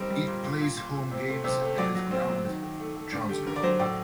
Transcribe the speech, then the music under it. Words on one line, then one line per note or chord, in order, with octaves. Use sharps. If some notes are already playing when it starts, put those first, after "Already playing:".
It plays home games at its grounds "Johnsgrove".
Already playing: G3 C4 D#4 A#4
G3
A#2
A#2
A#2
A#2
A#2
C3
A3
C3
A3
F#3 D5
F#3
C4
F#3
D#3
D#3
A3
A3
D3 D5
A3 G4
D3 A#4
D5
F#3 C5
A2 D5